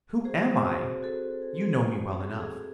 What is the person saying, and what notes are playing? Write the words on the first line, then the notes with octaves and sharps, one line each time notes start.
"Who am I? You know me well enough."
F#4 G#4 C5
C4
F#4
G#4
C4
F#4 A4
F#4
G#4
C4
F#4
C4
G#4
C4 A4
G#4